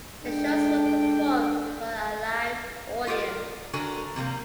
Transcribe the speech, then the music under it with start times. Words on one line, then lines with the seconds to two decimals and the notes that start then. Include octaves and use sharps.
The shows were performed before a live audience.
0.24 G#3 D4 A4 G5
3.07 F4 G4 A#4 D5 D#5
3.73 D3 F#4 A4 A#4 G#5
4.16 C3 G3 A3 A#3